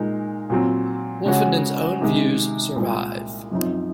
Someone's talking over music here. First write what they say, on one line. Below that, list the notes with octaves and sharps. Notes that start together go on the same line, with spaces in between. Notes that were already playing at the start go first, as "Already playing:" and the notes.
Wolfenden's own views survive.
Already playing: A#2 G#3 D#4 A#4
A#2 F#3 C4
C#3 G#3 C#4 F#4
C3 D#3 G#3
C2 A#2 G#3
F#2 F3 C4 D#4